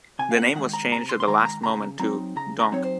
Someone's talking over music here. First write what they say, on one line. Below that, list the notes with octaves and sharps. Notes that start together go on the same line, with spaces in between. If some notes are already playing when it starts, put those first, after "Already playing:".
The name was changed at the last moment to "Donk".
C3 G#5
F5
F#5
D#3 G#3 F#5
A#5
C3 A#5
C6
C6
D#3 G#3 A#5
A#5
C#3 A#5
F#3 C4 D#4 A#5
C#3 A#5
A#5
F#3 C4 D#4 C#5
C5